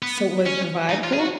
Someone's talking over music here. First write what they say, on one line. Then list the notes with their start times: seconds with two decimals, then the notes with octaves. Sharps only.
So was the vibe cool?
0.02 B3
0.46 C#4
0.90 D#4
1.04 F4
1.13 G#4
1.19 F#4